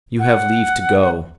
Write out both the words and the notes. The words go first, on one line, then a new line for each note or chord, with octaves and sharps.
You have leave to go....
F#5